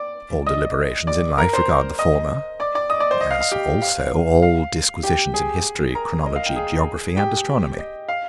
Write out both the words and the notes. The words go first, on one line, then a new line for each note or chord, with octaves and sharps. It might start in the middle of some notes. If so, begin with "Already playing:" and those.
All deliberations in life regard the former; as also all disquisitions in history, chronology, geography, and astronomy.
Already playing: D5 D6
D#5 D#6
D5 D6
A#4 A#5
C5 C6
D#5 D#6
D5 D6
D5 D6
D#5 D#6
D5 D6
C5 C6
D#5
F5
F5
G4 G5
F5
F5
G4 G5
G#4 G#5
A#4 A#5
D#5
F5
G5
G#4 G#5
G4 G5
D#5
F5